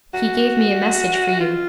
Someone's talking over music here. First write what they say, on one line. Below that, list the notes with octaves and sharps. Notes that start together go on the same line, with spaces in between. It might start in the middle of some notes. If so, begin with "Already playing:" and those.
He gave me a message for you.'
F#4
F4